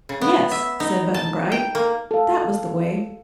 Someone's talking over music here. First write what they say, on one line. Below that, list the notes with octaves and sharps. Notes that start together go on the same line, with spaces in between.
"Yes," said Button-Bright; "that was the way."
C#3
B3
E5
D#4
A5
G5
A#3
A4 F5